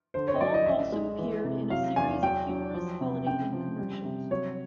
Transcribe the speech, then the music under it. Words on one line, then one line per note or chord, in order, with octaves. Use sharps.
Hall also appeared in a series of humorous Holiday Inn commercials.
D3 C5
C#5
D#5
F#3 D5
D#5
A1 E5
G#3
E3
C3
F#3 F5
E2 G#5
F#3 G5
F#3
F3
C3
C#3 G5
F3
G3
C3
F#3 C#5